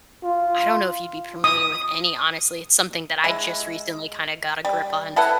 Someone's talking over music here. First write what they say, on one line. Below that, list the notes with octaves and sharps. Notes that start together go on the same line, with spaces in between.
I don't know if you'd be familiar with any, honestly, it's something that I just recently kinda got a grip on.
F4
D#6
G#3 E4
G3
E4 A4 B4 F#5